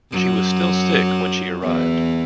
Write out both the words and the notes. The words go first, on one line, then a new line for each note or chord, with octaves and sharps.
She was still sick when she arrived.
F#2 F#3
E2 E3